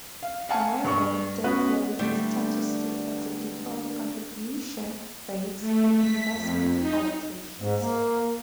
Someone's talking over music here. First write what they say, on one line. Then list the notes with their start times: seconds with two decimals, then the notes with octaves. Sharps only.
However, the employees tend to stick at the default contribution rates and investment allocations.
0.23 F5
0.49 F5 F#5 G#5 A5
0.84 G2 C#6
1.44 B3 C#4 F#4 B4
1.99 D3 G3 A3 B3 D4
5.61 A3
5.96 B6
6.34 F2
6.79 D#4
7.60 G#2
7.81 A#3